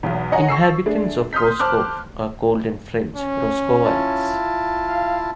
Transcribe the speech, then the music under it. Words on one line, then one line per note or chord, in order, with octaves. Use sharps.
Inhabitants of Roscoff are called in French "Roscovites".
B1 E2
C#5 D#5 F#5 G#5 A#5
C#6 E6 C7
A3 D4 G#4
C6 D#6 F6 G6 B6
C5 A5 D6 F6 F#6
C#4
E4 F4 A5
F5